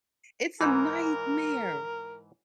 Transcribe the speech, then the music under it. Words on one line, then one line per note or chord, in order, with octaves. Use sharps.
It's a nightmare.
G#2 E3 A#4